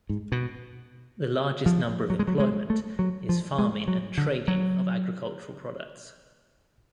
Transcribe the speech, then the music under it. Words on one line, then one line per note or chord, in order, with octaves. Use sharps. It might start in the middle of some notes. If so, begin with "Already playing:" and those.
The largest number of employment is farming and trading of agricultural products.
G#2
B2
F3
F#3
G#3
F#3
G#3
A3
F#3
F3
G#3
F#3
D3
F#3